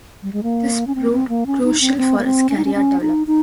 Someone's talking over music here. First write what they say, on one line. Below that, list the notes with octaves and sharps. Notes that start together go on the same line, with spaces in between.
This proved crucial for his career development.
G3
G#3
A#3
C#4
C4
C4
A#3
C#4
D#4
C4
C4
A#3
C4
C#4
D#4
C#4
C#4
D#4
D#4